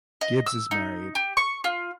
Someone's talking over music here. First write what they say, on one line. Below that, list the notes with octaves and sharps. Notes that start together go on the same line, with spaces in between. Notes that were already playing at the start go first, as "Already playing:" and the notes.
Gibbs is married.
D#5
E6
D#4
G4
C#6
F4